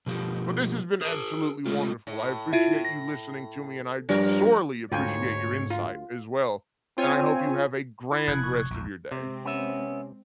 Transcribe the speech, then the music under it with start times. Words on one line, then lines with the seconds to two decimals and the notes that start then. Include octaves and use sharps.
But this has been absolutely wonderful, I appreciate you listening to me, and I sorely appreciate your insight, as well. And I hope you have a grand rest of your day.
0.06 B2 F3 G4
1.01 G#4 A#4
1.66 G#3 A3 F4
2.07 A2
2.53 E4 F4 E5
2.85 A#6
4.09 G2 F3 A#4
4.92 D2 G#2 F4 C#5 G5 G#5
5.70 F4
6.98 C4 F4 C#5 G#5
8.12 E4 B5
8.28 F1 D#6 F#6 G#6
8.44 C#6
8.70 A#1 E2
9.12 C3 G#3 C4
9.45 B3 C#4 E5